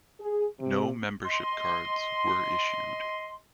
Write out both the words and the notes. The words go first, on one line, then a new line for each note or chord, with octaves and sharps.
No membership cards were issued.
G#4
C3
D#5 C6